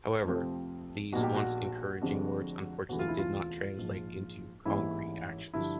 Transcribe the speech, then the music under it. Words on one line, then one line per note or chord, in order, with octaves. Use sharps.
However, these once encouraging words, unfortunately, did not translate into concrete actions.
F2 C3 F3 A3 C4
A#1 A#2 G3 B3 D#4 F#4
G4
F#4
F1 F2 D3 F3 G#3
E1 D2 C3 E3 A3 F#4
F4
E4
F4
A#1 G#2 F3
A1 G#2 E3 G3 A#3 E4
G2 D3 F3 E4